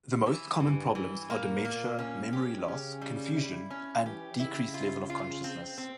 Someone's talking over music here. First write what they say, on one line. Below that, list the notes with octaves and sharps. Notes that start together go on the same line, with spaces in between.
The most common problems are dementia, memory loss, confusion, and decreased level of consciousness.
E3
G2 E3
E3
A#2 A#3
A#3
C#4
G4
C#3 C#4
G3
E4
C#4
E3 G4
C#3 E4
F4
F4
C4
C4